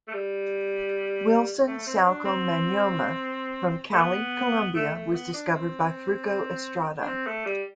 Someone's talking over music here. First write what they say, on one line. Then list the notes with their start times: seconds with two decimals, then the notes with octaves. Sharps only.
Wilson "Saoko" Manyoma, from Cali, Colombia was discovered by Fruko Estrada.
0.08 A3
0.13 G3
1.67 A3
1.87 C4
2.05 D4
2.25 C4
3.93 A3
3.99 B3
4.76 A3
4.95 A3
5.14 B3
5.34 D4
5.53 C4
7.02 D4
7.07 C4
7.27 A3
7.46 G3